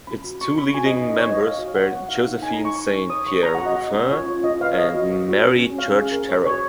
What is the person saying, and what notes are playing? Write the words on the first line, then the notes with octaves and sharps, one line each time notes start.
Its two leading members were Josephine Saint Pierre Ruffin and Mary Church Terrell.
C#4 B5
F#4
C#4 C#6
C#4 B5
F#4 G#5
D#5
D#4
D#5
D#4 D#5
C#5
B4
D#5
C#5 F5
F#4
C#5 F#5
C#5 F#5
D#4 F5
C#5
D#4 G#5
A#5
D#4
C#6
D#4 C#6
A#4
C#5 D#6
C#5 C#6
C#5 A#5
F#5
F#4
D#5
C#4
C#4
F4 C#5
F4
F4 D#5
B4 F5
C#5 D#5
F#4
C#5
F#4
C#4
C#4
C#5 F5
G#4
A#4
C#5
F#4 C#5